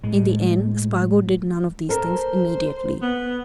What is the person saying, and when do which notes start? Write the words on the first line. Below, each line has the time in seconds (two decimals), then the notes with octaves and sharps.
In the end Spargo did none of these things immediately.
0.04 A2 G#3
1.89 A4 A#4 C5
3.02 B3